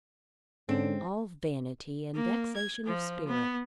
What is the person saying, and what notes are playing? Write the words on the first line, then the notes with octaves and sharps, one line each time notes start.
"All vanity; and vexation of spirit!"
G#2 D3 G#3 C4 C#4
A#3
G#6
F3
B3